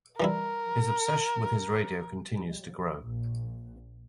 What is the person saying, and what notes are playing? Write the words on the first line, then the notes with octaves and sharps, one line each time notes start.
His obsession with his radio continues to grow.
E3 G3 E4 A#4
A#1